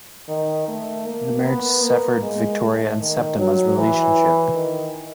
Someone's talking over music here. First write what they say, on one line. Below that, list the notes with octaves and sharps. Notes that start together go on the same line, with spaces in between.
The marriage severed Victoria and Septima's relationship.
D#3
A3
A#3
B3
A#3
G#3
A3
D#3
F#3
E3
D#3